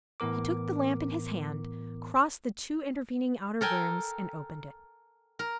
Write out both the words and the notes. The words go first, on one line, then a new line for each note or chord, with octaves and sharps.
He took the lamp in his hand, crossed the two intervening outer rooms, and opened it.
A2 E3 B3 A#4 D6
A4 A#4 G5 G#5
A#4